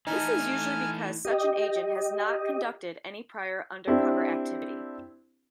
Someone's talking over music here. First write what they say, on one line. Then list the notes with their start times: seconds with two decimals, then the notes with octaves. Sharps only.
This is usually because such an agent has not conducted any prior undercover activity.
0.07 E3 A3 D#4 G#5 F6
1.25 G4 D#5
3.87 C4 D4 E4 G4